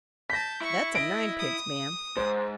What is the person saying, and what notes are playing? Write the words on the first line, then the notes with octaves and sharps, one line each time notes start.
That's a ninepence, ma'am.
A5 G6 A#6 B6
E4 C#6
D#5 D7
D#6
G#2 C5